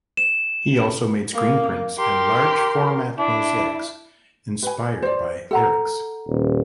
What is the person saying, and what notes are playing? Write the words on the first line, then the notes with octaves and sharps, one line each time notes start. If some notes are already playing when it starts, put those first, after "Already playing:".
He also made screen prints and large format mosaics inspired by lyrics.
E7
A#3
G4 A#4 C6
D4 E4
B4 G#5
C5 D5
A4 F#5 A#5
D#1